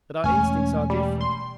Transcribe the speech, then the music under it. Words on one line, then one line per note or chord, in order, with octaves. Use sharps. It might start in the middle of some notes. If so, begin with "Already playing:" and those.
But our instincts are different.
E1 A3 C#4 G#5
G3
C6